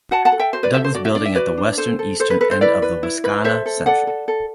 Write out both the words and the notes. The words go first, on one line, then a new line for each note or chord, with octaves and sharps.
Douglas Building at the western eastern end of Wascana Centre.
F#4 F#5 A5
F#5 A5
A4
E5 G5
F#4 C5
B4 D5
A4 C5 E5
C5
F#4 D5
E5
D4 D5
E5
F#4 B4 D5
D4
A4 C5
A4
A4 C5
B4
A4 B4
C5
E4 B4 D5
B4
E4
B4
A4 C5 E5
A4
A4 D5 F#5
A4
A4